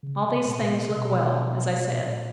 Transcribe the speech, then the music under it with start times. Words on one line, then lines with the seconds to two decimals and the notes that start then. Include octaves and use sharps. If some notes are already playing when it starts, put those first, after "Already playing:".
All these things look well, as I said.
0.03 C#3
0.25 C3
0.46 A#2
0.68 C3
0.90 B2
1.75 B2
1.97 A#2